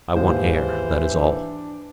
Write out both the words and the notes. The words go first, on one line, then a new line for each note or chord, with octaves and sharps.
"I want air, that is all."
D#2 G#2 E3 G#4 C5
D4